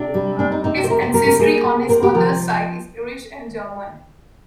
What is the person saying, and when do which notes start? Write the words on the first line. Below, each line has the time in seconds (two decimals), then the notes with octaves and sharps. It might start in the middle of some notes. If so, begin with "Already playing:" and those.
His ancestry on his mother's side is Irish and German.
Already playing: C3 D4
0.14 G3
0.39 C4 D4
0.52 D#4
0.64 C3 D#4
0.77 G4
0.84 C5
0.90 C3 A#4
1.02 C5
1.14 G3 A#4
1.27 A#4
1.39 A#3 G#4
1.64 C3
1.89 C3 A#4
2.03 G4
2.15 F3 A#4